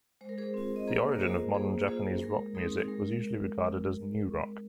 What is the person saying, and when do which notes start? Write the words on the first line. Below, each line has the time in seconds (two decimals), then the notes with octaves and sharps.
The origin of modern Japanese rock music was usually regarded as new rock.
0.21 G#3 C5
0.29 A#4
0.38 G#4 C5
0.54 C4 F4
0.76 D#5
0.88 A#3 G#4 C5
1.12 A#4
1.21 F4 G#4 C5
1.54 A#3 G#4 C5
1.88 F4 G#4 C5
2.22 G#3 A#4
2.55 C4 D#4 G#4
2.88 G#3 A#4